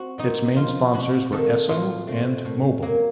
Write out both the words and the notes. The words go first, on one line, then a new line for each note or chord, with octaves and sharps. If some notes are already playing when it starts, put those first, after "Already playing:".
Its main sponsors were Esso and Mobil.
Already playing: C4 F#4
A#2 D#4
F3 C4 F4
C3 F#4
D#3 A#3 A4
A2 F4
A3 C4
A2
F#3 A#3